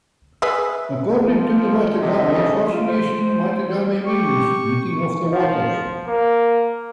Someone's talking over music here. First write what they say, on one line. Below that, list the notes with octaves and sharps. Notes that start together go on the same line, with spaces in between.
According to the Mattagami First Nation, Mattagami means "Meeting of the Waters".
G#4 B4 E5 G#5
F3
F4
C3 A4 D#5 E5
C#3
F4
C5
G4 C#6
F3
A#3